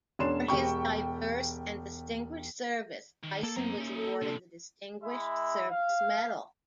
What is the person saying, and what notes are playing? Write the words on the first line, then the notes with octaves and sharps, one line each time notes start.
For his diverse and distinguished service, Dyson was awarded the Distinguished Service Medal.
E1 C#4 D4 C6 E7
E1 G4 G5 C#6
D#3
A#3 A4
F#2 C4 E4 A#5
C#4 D#4 E4
A4
C#2 C3 D4
G#3 E4 E5
F5